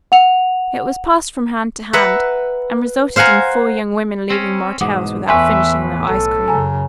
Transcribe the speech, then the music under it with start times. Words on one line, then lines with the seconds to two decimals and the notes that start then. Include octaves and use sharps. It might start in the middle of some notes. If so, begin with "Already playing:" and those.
It was passed from hand to hand, and resulted in four young women leaving Martell's without finishing their ice cream.
0.12 F#5 F7
1.93 B4 E5 F#5 A#5
3.16 C5 F5 F#5 G#5 A#5
4.30 C4 C#4
4.81 E2 G#2 B2 F#5 D6 D#6
5.28 E2 A2 B4 E5 G#5 C6 C#6
6.09 B1 A4
6.48 F#2 C#3 G#5 A#5